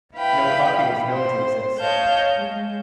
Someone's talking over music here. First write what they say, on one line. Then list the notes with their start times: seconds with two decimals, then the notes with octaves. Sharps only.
No copy is known to exist.
0.16 E4 B4 F5 G5 B5
1.09 C5
1.79 C#5 D#5 F5 A5 G6
2.36 G#3